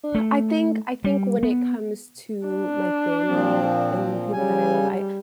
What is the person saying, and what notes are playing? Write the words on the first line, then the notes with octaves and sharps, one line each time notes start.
uh, I think I think when it comes to my family and the people that I love, I
A3
G3
B3
D4
A#2 F3 C4
C#3 G3 G#5